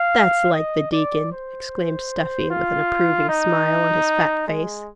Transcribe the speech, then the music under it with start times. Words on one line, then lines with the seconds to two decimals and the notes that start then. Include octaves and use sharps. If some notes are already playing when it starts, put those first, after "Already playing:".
'That's like the Deacon!' exclaimed Stuffy, with an approving smile on his fat face.
Already playing: F5
0.52 D#5
0.92 D5
1.32 C5
2.50 F4
3.29 D#4
4.47 G#3